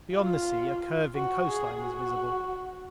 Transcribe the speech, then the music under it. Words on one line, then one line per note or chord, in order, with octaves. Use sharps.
Beyond the sea, a curving coastline was visible.
F4
F#4
G#4
F#4